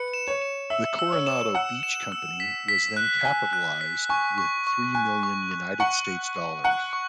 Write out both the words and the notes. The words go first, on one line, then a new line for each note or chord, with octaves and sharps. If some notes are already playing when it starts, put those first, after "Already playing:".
The Coronado Beach Company was then capitalized with three million United States dollars.
Already playing: B4 C#7
E7
C#5
E7
E5 E6
E6
C#5
E7
F#5 E6
E7
E6
B6
B6
F#6
G#5 B6
F#6
B6
G#5 C#6
C#6
C#6
G#5 F#6
C#6
C#6
F#5 C#6
F#6
C#6
F#5 F#6
C#6